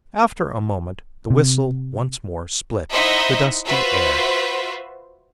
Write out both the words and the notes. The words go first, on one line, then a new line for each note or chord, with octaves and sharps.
After a moment the whistle once more split the dusty air.
C3
D#4 E4 C5 D#5 E5 F#5
F4 F#4 B4 C5 E5